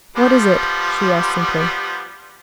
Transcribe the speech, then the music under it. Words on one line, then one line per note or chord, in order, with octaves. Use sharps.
"What is it?" she asked simply.
F3 G3 B3